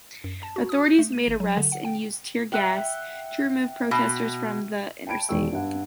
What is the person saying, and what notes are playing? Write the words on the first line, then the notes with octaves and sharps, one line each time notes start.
Authorities made arrests and used tear gas to remove protesters from the interstate.
F#2
A5
F#4
D#6
G6
A3
D#7
G#1
F#3
D3
F#5
G5
E5 F#5 G5
B2 D#6
G5 A5 B5 G#6 D7
E1 D#3 G#3 G5 C#6 E6
G2 F#5